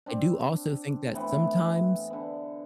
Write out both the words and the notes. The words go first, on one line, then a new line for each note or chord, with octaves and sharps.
I do also think that sometimes
C4 D4
A2 E3 B3 C4
D3 B3